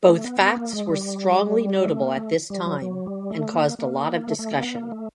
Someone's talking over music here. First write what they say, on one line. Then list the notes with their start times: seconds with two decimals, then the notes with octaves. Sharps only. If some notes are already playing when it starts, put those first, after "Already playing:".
Both facts were strongly notable at this time and caused a lot of discussion.
0.08 A3
0.24 B3
0.41 B3
0.56 A#3
0.73 G#3
0.89 G3
1.85 A3
2.02 A#3
2.17 A3
2.50 G3
2.66 F#3
2.82 F#3
3.06 G3
3.31 A3
3.54 A#3
3.79 A#3
4.27 A3
4.39 A3
4.51 A#3
4.63 B3
4.75 A#3
4.92 A3